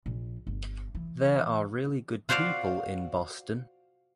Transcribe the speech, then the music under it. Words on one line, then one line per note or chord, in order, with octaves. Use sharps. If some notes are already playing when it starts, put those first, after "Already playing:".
There are really good people in Boston.
A#1
G1
E3
F4 F#4 C5 D5 F5